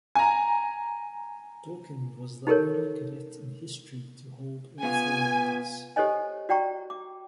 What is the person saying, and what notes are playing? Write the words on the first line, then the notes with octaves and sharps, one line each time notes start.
Dawkins was the only cadet in history to hold all four at once.
G#5 A#5
D#4 G4 A4 A#4 C#5
B3 F4 G#5
G4 A4 C5 C#5 D#5 G#5
F#4 D5 G5 A#5 C#6
D6